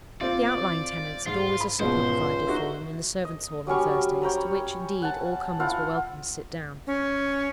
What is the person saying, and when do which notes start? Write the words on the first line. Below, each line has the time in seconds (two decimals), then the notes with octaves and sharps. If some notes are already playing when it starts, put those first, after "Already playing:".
The out- lying tenants had always a supper provided for them in the servants'-hall on Thursdays, to which, indeed all comers were welcome to sit down.
0.21 C4 F4 D5
1.26 G#2 F4
1.60 B5
1.80 C#2 G#2 B2 C5
2.47 D#4 F#4 E5
3.25 D#5
3.67 F#3 G3 C#4 C#6
4.22 C#5 G5 A#5 B5
5.02 F#5 A5
5.60 E4 F4 F#5
6.87 C#4